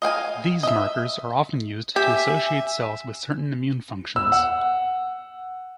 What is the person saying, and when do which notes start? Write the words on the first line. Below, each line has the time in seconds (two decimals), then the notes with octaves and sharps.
These markers are often used to associate cells with certain immune functions.
0.02 D#5 F5 G5 G#5
0.63 D#5 E5
1.96 G4 E5 G#5
4.16 E6
4.32 F#5